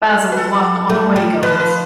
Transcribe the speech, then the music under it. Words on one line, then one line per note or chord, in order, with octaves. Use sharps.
Basel won on away goals.
B4
A4
A3
G3
F3 B4
B4